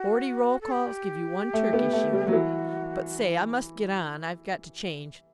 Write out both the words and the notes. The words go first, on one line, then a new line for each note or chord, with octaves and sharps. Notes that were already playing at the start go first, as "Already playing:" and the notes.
Forty roll-calls give you one Turkish unit--but, say, I must get on, I've got to change.
Already playing: F#4
A4
G4
A3
B3
A3
G3
F#3 E4
E3 F#4